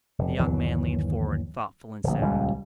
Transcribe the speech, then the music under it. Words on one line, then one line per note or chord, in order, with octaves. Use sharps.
The young man leaned forward, thoughtful and sad.
F1
G1 D#2 E3 F#3
D1 A#1
D#1 C#2 C3 G3